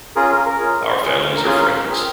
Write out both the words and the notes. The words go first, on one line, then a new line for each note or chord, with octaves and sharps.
Our families are friends.
C#4 F4 G#4 A#4
A#4
A#4
C#4 F4 G#4
C#4 F4 G#4
A#4
C#4 F4 G#4
A#4
A#4
C4 F4 G#4